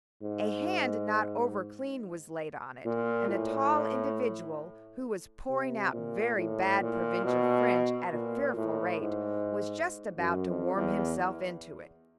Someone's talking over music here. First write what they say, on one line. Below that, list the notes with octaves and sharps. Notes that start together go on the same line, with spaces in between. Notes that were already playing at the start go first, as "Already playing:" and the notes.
A hand not over clean was laid on it, and a tall individual, who was pouring out very bad provincial French at a fearful rate, was just about to worm himself into it.
G#2
A#2
A2
C3
A#2
A2
A#2
B2
A#2
A2
G#2
F#2
F2
E2